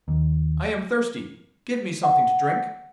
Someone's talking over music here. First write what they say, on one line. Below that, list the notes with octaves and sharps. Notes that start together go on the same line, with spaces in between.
'I am thirsty; give me something to drink.'
D#2
F#5